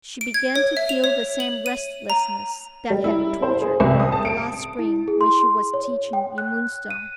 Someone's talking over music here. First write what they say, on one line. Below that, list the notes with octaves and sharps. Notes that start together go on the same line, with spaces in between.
She began to feel the same restlessness that had tortured her the last spring when she was teaching in Moonstone.
D7
G#6
C#5
E5
F7
C#5
F#7
D#7
A#5
G3
E4
C5
G#4
C2
D#6
A5
D7
E4
G#4
C6
C#5
G5
F#6
D#7